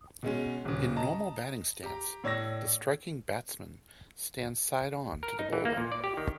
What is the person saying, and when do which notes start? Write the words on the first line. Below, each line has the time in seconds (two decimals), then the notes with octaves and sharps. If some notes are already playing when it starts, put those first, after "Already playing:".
In normal batting stance, the striking batsman stands side on to the bowler.
0.23 B2 G#3 C#4
0.65 D#1 C#3
0.96 D#5 A5 A#5
1.83 G4 A#5
2.24 A2 C#5 D5 E6 A#6
5.23 A#4
5.39 D#4
5.53 E3
5.65 A#3
5.77 A#2
5.92 D5
6.04 G4
6.17 D#3